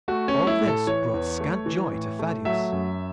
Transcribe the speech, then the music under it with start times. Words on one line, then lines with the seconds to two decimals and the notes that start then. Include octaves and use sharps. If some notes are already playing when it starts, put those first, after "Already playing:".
All this brought scant joy to Thaddeus.
0.08 A3 F#4
0.28 C#4
0.34 A3
0.47 E4
0.61 A2
0.68 A4
0.87 E3 C#5
1.14 E2
1.40 A3
1.66 E3
1.93 A2
2.19 A3
2.45 F#3 E5
2.72 F#2